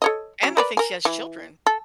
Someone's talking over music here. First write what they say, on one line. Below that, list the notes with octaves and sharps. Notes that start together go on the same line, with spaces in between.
And I think she has children.
A4 C#5 D#5
F#3 C#4
A#4 B4 D5
A#4 G#5
E3
A4